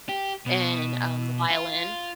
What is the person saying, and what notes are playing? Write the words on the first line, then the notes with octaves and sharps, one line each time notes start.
and, um, the violin.
G4
B2
F4